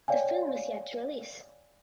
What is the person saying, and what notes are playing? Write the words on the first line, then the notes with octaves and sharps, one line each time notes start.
The film is yet to release.
C#5 D5 F5 G5 G#5